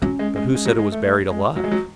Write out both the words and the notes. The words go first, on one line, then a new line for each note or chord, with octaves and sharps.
"But who said it was buried alive?"
F#3 C#4
G#3
G#3
G#3
F#3
G#3
A3
A3
G#3
F#3
G#3
F#3